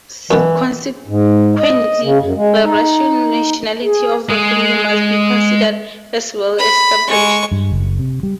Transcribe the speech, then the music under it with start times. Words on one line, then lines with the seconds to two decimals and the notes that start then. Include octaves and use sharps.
Consequently, the Russian nationality of the family must be considered as well established.
0.31 F#2 B2 E3
1.08 G#2
1.59 D#5
2.03 C#3
2.22 F#2
2.35 G#3
2.64 D#4
3.81 G#4
4.30 G#3 G#4
6.58 B5
7.08 G#3 C#6
7.52 G2
7.72 F#1
7.99 C3
8.23 G3